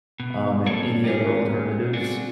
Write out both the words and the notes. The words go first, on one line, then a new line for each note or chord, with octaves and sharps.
um, and any other alternatives
B2
A#3 C4 C#4 A4 C#5 D5
G3 A#3 B3 C#4 G4 G#4
C4 D4 F4 F#4 G#4